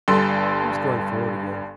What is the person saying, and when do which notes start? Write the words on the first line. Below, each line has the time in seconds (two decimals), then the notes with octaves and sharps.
He was going forward again.
0.08 G1 G2 A4 C6